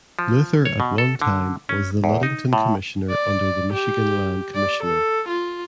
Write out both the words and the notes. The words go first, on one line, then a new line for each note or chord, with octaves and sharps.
Luther at one time was the Ludington commissioner under the Michigan land commissioner.
F3
C#5
B2
A4
D3
C#4
E2
D#4
A2
D5
G4
D5
A4
F4